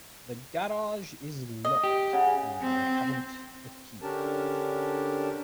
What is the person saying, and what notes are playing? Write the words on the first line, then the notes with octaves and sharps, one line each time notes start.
The garage is locked; and I haven't the key.
D#5
G4
C#3 F#5
C4
D3 C#4 D4 G4 A#4 A5